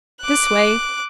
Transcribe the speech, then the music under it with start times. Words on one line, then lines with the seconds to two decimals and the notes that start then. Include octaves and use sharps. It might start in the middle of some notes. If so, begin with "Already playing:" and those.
This way.
0.21 D6 F#6